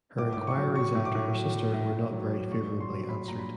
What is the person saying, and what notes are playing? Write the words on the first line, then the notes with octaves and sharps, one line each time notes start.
Her inquiries after her sister were not very favourably answered.
A2 D6
D6
A2
C#6
F#3
F#3 C#6
A2
D6
A2
F#3
F#3
A2
A2
F#3
F#3
A#2 C#6
A#2
C6
F#3
F#3 B5
A#2 A#5
B5